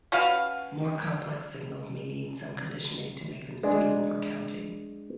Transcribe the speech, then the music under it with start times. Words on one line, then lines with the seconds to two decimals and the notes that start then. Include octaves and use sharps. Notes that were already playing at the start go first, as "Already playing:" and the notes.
More complex signals may need some conditioning to make them suitable for counting.
0.12 C#4 F#4 B4 F5
3.63 G#3 D4